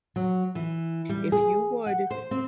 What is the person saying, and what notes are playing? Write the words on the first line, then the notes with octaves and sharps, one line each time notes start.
If you would,
F#3
E3
G3
G#4
F#5
C5
C4